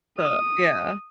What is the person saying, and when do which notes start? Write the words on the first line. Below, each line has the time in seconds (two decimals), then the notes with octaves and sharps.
But, yeah.
0.19 D#6